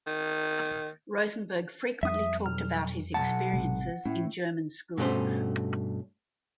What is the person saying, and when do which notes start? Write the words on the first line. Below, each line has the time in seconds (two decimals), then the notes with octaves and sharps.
Rosenberg frequently talked about his experiences in German schools.
0.07 D#3
2.03 F2 G3 E5 D#6
2.46 B1 F6
3.14 B1 F#3 F#5 A5
3.53 G#1 C3 G#3
4.05 A2 C#4
4.97 G2 B2 A3 C#4 C5